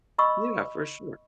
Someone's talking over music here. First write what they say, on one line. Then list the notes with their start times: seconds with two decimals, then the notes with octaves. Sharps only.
Yeah, for sure.
0.18 D#5 B5 C#6 E6